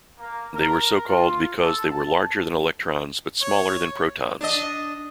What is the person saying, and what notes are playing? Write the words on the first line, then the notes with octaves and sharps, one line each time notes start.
They were so-called because they were larger than electrons but smaller than protons.
A#3
A#4
F4
A4
A5
C#5
D4 D#5